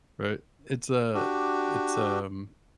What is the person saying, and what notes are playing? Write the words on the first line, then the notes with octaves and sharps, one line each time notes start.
Right, it's a it's, um
D4 F#4 G4